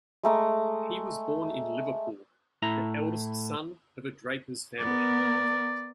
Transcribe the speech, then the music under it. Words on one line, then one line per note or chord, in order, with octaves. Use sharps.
He was born in Liverpool, the eldest son of a draper's family.
G#3 A3 A#5 D6
A2 E4 A#5
B3 A#4 D5